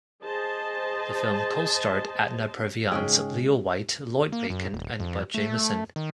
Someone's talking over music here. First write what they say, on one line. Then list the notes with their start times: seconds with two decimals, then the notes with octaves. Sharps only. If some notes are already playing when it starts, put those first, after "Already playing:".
The film co-starred Edna Purviance, Leo White, Lloyd Bacon, and Bud Jamison.
0.24 G#4 C5 D#5 A5
2.92 G#2 C#3 G#3 C#4 G#4 C#5 G5
4.32 A#3
4.50 F#2
4.74 D#1
5.00 F2
5.34 A3
5.96 D#3